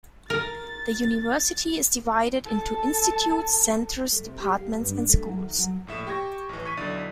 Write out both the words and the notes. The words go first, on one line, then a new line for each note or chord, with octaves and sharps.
The university is divided into institutes, centres, departments and schools.
A#4 A6
A4 A5
A3
C3
G4
F5
A#3
G2
D4
A3
F#3
D#3
F#3
A#1 A2 E5 E7
G4 G5 C#6 G#6 A#6
A1 E3
C#6 G#6 B6 D#7
B1 D3 E4 D5 A6 D#7